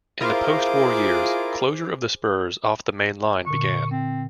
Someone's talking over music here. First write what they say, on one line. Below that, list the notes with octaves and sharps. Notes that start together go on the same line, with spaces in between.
In the post-war years, closure of the spurs off the main line began.
E4 F4 G#4 A#4 C5 D6
A#2 D3 C#6
C4